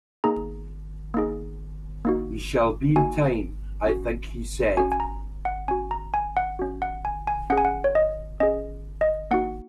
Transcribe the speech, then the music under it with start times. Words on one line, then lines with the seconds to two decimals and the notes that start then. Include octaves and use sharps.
"We shall be in time, I think," he said.
0.24 A#3 D#4 G#4 A#5
1.14 A#3 D#4 G#4
2.05 A#3 D#4 F#4
2.96 A#3 D#4 F#4 G#5
3.86 C#4 F#4
4.77 C#4 F#4 G#5
4.92 G#5
5.00 A#5
5.45 F#5
5.68 C#4 F#4 G#5
5.91 A#5
6.14 G#5
6.37 F#5
6.59 C#4 F#4
6.82 F#5
7.05 G#5
7.27 G#5
7.50 C#4 G#4 F#5
7.58 G#5
7.65 F#5
7.84 C#5
7.95 D#5
8.40 C#4 G#4 D#5
9.01 D#5
9.31 A#3 D#4 F#4 F#5